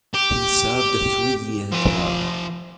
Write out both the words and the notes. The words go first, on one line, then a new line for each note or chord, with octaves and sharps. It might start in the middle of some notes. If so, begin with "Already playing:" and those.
He served a three-year term.
G4
F3 G#5